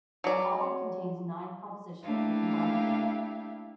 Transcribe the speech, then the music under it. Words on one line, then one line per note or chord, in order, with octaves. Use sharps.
The album contains nine compositions written by Bloom.
F#3 D5
A3 A#3 D4 E4 G4 F5